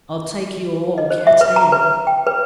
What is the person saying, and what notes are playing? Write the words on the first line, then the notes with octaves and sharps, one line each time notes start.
"I'll take you all, get in!"
D#5
C5
E5
B4
A#5
B4
G5
B4